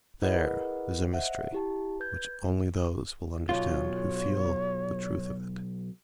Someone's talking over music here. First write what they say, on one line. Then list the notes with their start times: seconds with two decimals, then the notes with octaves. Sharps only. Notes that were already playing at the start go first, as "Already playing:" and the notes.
There is a mystery which only those will understand who feel the truth of it.
0.22 E4 G#4 A#4 B4 D#5 F#5
1.12 C5 D#5 E5 F#5
1.53 E4 G4 A5
2.00 B4 G6 G#6
3.49 B1 F4 C#5